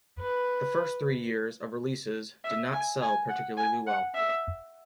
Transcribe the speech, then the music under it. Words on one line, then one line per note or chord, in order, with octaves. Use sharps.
The first three years of releases did not sell particularly well.
B4
E5
G#5
G#5
F#5
G#5
F#5
E5